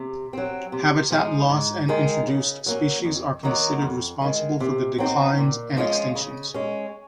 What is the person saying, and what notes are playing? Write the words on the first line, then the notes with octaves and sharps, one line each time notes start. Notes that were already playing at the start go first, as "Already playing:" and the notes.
Habitat loss and introduced species are considered responsible for the declines and extinctions.
Already playing: C3
F#3 C4
C3
F3 G#3 D#4
G#2
D#3 G#3 D#4
C#3
F#3 A#3 C#4
F2
D#3 F#3 A#3
F2
D#3 G#3
C3
F#3 C4 D#4
A#2
F3 G#3 C#4 F4
C#3
G#3 C#4